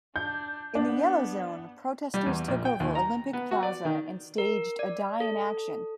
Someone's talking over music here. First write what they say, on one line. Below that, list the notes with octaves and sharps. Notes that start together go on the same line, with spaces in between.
In the yellow zone, protesters took over Olympic Plaza and staged a Die-In action.
D4 G6
B3 D4
G3
E2
A#1
G5
D#2
A#5
B3
F#4
D5
D#3
A#4
D5
A4